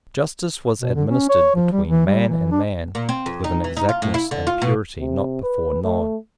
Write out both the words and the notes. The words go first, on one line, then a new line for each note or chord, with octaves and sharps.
Justice was administered between man and man with an exactness and purity not before known.
B2
D3
C#4
C#5
F3
G3
E3
G3
E3
D4
A#2
C4
F2
D#4
E3
D#4
F4
A2
E4
D3
F4
B2
C3
B4
A3